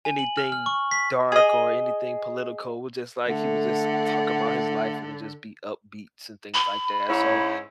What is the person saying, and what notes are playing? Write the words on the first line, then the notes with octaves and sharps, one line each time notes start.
anything dark or anything political, it was just, like, he would just talk about his life and just be upbeats and things like that so
G#5
F#7
F6
F6
C#6
B6
G#4 D#5
D3 A3 F#5
B5
G#2 C#4 E4